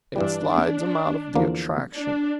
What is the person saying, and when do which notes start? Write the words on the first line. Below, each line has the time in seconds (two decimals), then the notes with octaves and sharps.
"It slides 'em out of the attraction."
0.16 G2 E3 G3 D4
0.47 D4
1.35 E2 D3 F3 A#3
1.95 D4